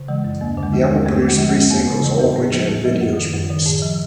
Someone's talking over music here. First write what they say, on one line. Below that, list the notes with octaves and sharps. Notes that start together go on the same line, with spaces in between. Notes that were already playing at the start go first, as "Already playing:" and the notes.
The album produced three singles, all of which had videos released.
Already playing: C#3
E3 G#3
F#2
D#2 A#3
D3
G#3
F3
G#3
D#2
G2 A3
D3
G#3
F3
G#3
G2
E2 A#3
C#3
E3
E2
A2 B3
F3
A2
F3
F#2
D#3
F#2
D#3
A2
F3